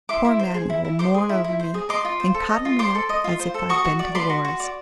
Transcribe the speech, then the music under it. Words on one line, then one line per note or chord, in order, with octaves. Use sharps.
Poor mammy will mourn over me and coddle me up as if I'd been to the wars.
E4 C6 D6
E4
C5
G#4
E4
E4
C5 C6 D6
G#4
E4
E4
C5
G#4
D#5 C6 D6
F4
C5
A4
D#5
F4
C5 C6 D6
A4
D#5
F4
C5
A4
F#4 C#6 D#6
F#4
D5
B4 C6 D6
F#4
F#4
D5